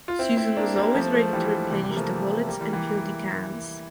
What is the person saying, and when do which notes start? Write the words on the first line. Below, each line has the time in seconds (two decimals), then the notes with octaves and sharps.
Susan was always ready to replenish the wallets and fill the cans.
0.08 F4
0.19 C4 E4
0.37 C4 E4
0.57 A#3 D4
0.76 G3 A#3
0.94 F3 A3
1.14 F3 A3
1.33 E3 G3
1.71 C3 E3
1.84 E3 G3
1.90 A#3
1.96 F3 A3
2.47 G3 A#3
2.60 E3 G3
2.73 E3 G3